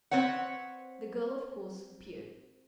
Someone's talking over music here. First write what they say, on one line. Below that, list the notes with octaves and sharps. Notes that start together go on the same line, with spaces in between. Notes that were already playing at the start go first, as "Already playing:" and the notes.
The girl of course appeared.
C4 B4 C#5 F#5